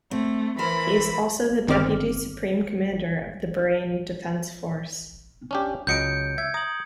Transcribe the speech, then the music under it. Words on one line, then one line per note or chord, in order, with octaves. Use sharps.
He is also the deputy Supreme Commander of the Bahrain Defense Force.
A3 C4
E3 A#4 C5 B5
G1 D#3 C4 D6 F6
C#4 D4 G4
C#2 F#3 D#5 G6 C#7 D7
E5 G#6
A#5 D#6 F#7